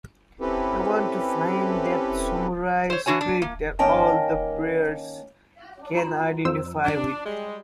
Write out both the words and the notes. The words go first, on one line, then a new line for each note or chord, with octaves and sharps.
I want to find that 'Samurai Spirit' that all the players can identify with.
C4 C#4 E4 G4 A4 B4
C5 C#5
E3 D4 F#4 C#5 G#5
D4
A#3
D#3 A#3 C#4 D#5 G5 A5
F4 A#5 C6
F2 C5 E6
D4
G3 G#3